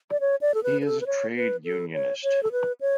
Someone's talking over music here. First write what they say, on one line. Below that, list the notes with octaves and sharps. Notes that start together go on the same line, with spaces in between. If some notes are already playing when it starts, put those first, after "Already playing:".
He is a trade unionist.
D5
C#5
D5
A4
B4
B4
A4
B4
C#5
B4
A4
C#5
C#5
A4
B4
C#5